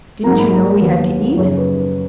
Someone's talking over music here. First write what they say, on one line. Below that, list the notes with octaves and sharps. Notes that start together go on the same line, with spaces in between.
Didn't you know we had to eat?
G#2 F#3 A#3 A#5
B5
A#5
D#2 D#3 F#3 B3
F#2 C#3 F3 C#5
B4
B4